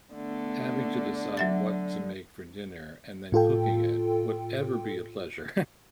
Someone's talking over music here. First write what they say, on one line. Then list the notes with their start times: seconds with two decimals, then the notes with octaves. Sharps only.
having to decide what to make for dinner, and then cooking it, would ever be a pleasure.
0.14 D3 A3 B3
1.37 F#3 E5 A6
3.32 A2 F4 A4 G5